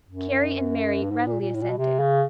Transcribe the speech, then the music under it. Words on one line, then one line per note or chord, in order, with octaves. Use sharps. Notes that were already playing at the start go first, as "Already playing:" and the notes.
Carry and Mary readily assented.
F#2
G2
G#2
A#2
A#2
A2
A#2
B2
C3
C#3